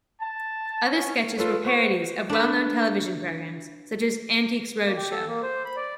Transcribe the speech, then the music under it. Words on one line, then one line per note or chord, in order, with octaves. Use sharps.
Other sketches were parodies of well known television programs, such as "Antiques Roadshow".
A5
C#4
F4 A4 B4 C#5
B4 C5 F#5 C#6
D4 B4
A#3
G4
A4
A#3
C5
B5
D5